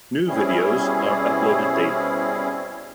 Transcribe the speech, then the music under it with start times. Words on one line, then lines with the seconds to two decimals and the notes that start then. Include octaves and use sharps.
New videos are uploaded daily.
0.27 B2 G3 C4 C#4 E4 G#4